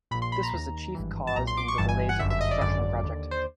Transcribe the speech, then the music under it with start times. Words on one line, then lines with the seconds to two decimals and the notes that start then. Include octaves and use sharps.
This was a chief cause in the delays of the construction project.
0.11 A#1 A#2 B5
0.22 C6
0.32 B5
0.43 A#5
0.53 D#2 D#3
0.95 G#1 G2 E3
1.27 A5
1.36 B1 A#2 A#5
1.47 C6
1.57 D6
1.68 C#6
1.78 G1 G2 E3 A5
1.89 G#5
2.09 F#5
2.19 G1 F#2 D3 E5
2.30 E5
2.41 D#5
2.51 D5
2.61 G#1 F#2 D3 D5
3.03 D#2 D3
3.31 C5